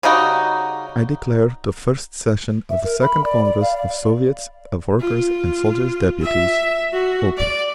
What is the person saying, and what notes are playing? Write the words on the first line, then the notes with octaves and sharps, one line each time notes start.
"I declare the first session of the Second Congress of Soviets of Workers' and Soldiers' Deputies open!"
C#3 G3 D#4 F#4
E5
A#4
B5
D5
D5
F5
D5
F4
E5
F#4
D5